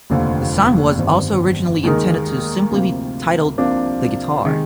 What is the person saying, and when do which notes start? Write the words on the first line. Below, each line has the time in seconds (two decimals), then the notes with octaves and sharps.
The song was also originally intended to simply be titled "The Guitar".
0.10 F1 D#2 D3 F3
0.97 G1 G2 D#3 G3 C4
1.83 D#2 D#3 G#3 D#4 A#4
2.71 D2 C3 F3 A#3
3.58 C2 C3 F3 A#3 D4
4.44 C3 D#3 G#3